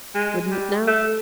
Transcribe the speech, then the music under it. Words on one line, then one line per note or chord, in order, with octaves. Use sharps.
Wouldn't it now?'
G#3
G3
A3